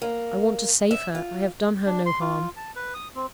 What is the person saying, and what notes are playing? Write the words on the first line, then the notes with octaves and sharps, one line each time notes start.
I want to save her; I have done her no harm.
A#3
E5
F4
D4
C6
F4
A5
B4
D#6
C4